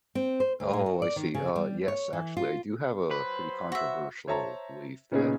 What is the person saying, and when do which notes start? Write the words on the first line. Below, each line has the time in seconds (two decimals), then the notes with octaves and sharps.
Oh, I see, uh, yes, actually, I do have a pretty controversial belief that
0.15 C4
0.40 C5
0.60 D2
0.73 A2
0.86 F#4
1.02 D5
1.16 D#3
1.34 C#3
1.56 G3
1.88 C#5
2.13 E3
2.37 F4
3.11 F#3 B4 C5
3.72 F#4 E5
4.27 C5 C#5 E5 A5 A#5
5.11 A#2 C#3 B3 C#4 D#4 G#4